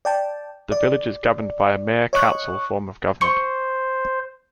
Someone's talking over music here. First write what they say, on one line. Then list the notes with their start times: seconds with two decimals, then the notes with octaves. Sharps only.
The village is governed by a Mayor-Council form of government.
0.05 D5 G5 A5
0.72 D5
2.13 C#5 D#5 C#6 F#6
3.21 C5 C6 C#6 C#7